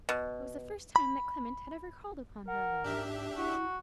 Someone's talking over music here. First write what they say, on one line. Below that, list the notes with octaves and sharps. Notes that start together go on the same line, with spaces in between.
It was the first time that Clement had ever called upon her alone.
B2
B5
A#4 F#5
G#2 D4 G4 E5
E4 F#4